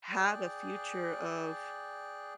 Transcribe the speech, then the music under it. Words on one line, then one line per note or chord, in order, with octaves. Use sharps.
have a future of
G#4 D5 G5 F#6